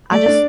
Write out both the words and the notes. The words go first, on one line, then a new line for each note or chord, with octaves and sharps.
I just
A3 D5
D4